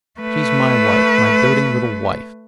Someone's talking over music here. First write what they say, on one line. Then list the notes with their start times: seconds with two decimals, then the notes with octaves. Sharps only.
She's my wife, my doting little wife.
0.21 A3 B4